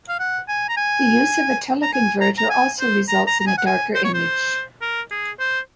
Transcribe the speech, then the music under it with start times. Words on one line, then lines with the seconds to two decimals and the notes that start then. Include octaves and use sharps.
The use of a teleconverter also results in a darker image.
0.09 F5
0.20 F#5
0.48 G#5
0.69 A#5
0.77 G#5
1.83 A#5
1.93 G#5
2.21 A#5
2.38 A#5
2.50 G#5
2.80 C5
3.09 A#5
3.27 A#5
3.40 A#5
3.47 G#5
3.58 F#5
3.66 G#5
3.95 C5
4.04 C#5
4.14 C5
4.82 A#4
5.11 G#4
5.39 C5